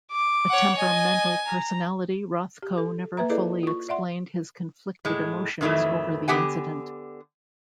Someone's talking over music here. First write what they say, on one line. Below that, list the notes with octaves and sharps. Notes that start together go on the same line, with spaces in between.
A temperamental personality, Rothko never fully explained his conflicted emotions over the incident.
D6
C#5 F#5
D#5 G#5
A#5
G4
A4
A#3 B4 E5 A#5
E4 G#4 A4 B4 D5 D#5
F4 C#6
D5 E5 F#5 C6
A2 G#3
F2 A2 D#3 E3 F#3 A3
D3 B3 G4 F#5 G#5